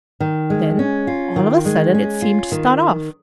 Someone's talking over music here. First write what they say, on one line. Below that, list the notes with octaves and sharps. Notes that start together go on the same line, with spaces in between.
Then, all of a sudden, it seemed to start off.
D#3
G#3
C#4
F4
D#3
G#3
C#4
F4
D#3